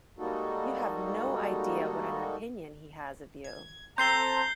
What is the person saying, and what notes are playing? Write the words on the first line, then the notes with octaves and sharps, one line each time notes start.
You have no idea what an opinion he has of you!
G3 G#3 A#3 D#4 F#4 A4
G#6
C4 A4 C5 A#5 G6 C7 G7